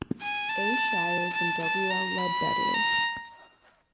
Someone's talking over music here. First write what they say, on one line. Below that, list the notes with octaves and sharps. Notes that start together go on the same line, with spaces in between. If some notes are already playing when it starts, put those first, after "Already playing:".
A. Shires, and W. L. Ledbetter.
G#5
A5
A5
A5
A#5
B5
A#5